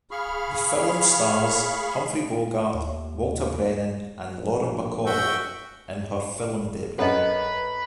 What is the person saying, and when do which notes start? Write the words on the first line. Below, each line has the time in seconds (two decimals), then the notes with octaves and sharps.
The film stars Humphrey Bogart, Walter Brennan and Lauren Bacall in her film debut.
0.11 G#4 F5 B5 C#6 F6
2.75 D#2
4.38 A#1
5.06 F#4 E5 G5
6.99 F#2 A4 B4 C#5 D#5 F#5